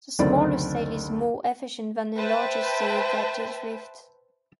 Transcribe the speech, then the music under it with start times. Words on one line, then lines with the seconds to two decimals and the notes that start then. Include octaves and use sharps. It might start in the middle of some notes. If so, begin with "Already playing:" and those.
The smaller sail is more efficient than a larger sail that is reefed.
0.19 F#1 D2 D#3 C4 D5
2.17 B4 C5 E5 G5 A5